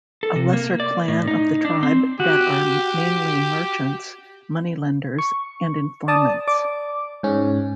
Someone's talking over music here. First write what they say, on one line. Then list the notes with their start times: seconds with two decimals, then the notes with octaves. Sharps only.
A lesser clan of the Tribe that are mainly merchants, money lenders and informants.
0.23 A4
0.36 C3
0.53 A#3
0.80 D5
1.08 A2
1.27 D#4
1.65 D4
1.83 C4
2.20 F#4 G4
5.18 C#6
6.08 D5 A5 D#6
6.48 D5 D6
7.23 G#2 C#4